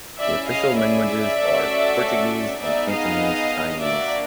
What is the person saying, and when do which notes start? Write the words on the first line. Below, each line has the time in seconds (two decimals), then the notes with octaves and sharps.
The official languages are Portuguese and Cantonese Chinese.
0.19 C#4 E4 G#4 D5 E5
0.49 D#5 F5
0.79 D5 E5
1.40 A3 C#4 F#4 A4
2.60 B3 D#4 G#4 D5 E5
2.90 D#5 F5
3.81 A#3 D4 F#4 D5 E5